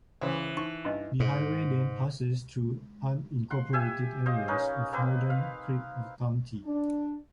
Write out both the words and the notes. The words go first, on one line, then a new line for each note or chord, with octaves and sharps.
The highway then passes through unincorporated areas of northeast Creek County.
C#2 C#3 E3 C5 E5
D#4 C#6
G2 C#4 D#5 G#5
G#2
F#5 C6
G4 E5 G#5
C5 D#5 F5
C#4 D#4 A#4 B4
A#3 C4 B4
F5
D4